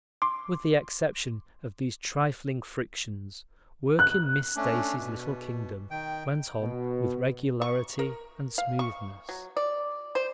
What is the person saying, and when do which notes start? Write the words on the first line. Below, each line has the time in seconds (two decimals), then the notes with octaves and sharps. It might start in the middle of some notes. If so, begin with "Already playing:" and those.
With the exception of these trifling frictions, work in Miss Stacy's little kingdom went on with regularity and smoothness.
0.22 C6 D6
3.99 F#6
4.56 A3 C#4 D4
4.97 B2
5.91 D#3 G5
6.61 B2
7.62 C#6
7.99 A#4
8.58 F5
8.79 C#6
9.29 F#3
9.57 D5
10.15 C5